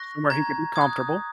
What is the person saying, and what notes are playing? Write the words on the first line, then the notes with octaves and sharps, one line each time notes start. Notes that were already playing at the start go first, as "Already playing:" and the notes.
Somewhere he could be comfortable.
Already playing: C#6 F#6 A#6
A#5 G#6
D#6 G#6
F#6